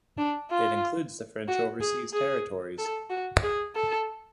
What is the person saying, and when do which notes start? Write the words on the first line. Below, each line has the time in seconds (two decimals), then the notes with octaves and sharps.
It includes the French overseas territories.
0.18 D4
0.51 F4
1.48 F#4
1.81 G#4
2.13 G#4
2.79 A4
3.11 F#4
3.43 G#4
3.75 A4